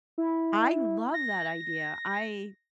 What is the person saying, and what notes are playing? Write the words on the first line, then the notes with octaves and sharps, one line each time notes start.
I love that idea, I
E4
A#6